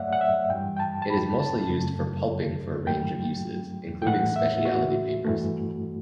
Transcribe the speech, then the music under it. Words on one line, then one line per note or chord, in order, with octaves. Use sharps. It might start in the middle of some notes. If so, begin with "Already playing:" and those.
It is mostly used for pulping for a range of uses, including speciality papers.
Already playing: G2 F#3 A3 C#5 D5 E5 F#5
F#5
E5
G2 E3 G3 G5
G5
A5
A5
B5
A5
F#2 C#3 F#3 A3
G2 F#3 A3 G5
G5
A2 E3 A3 F#5
E5
F#4
G2 E3 A3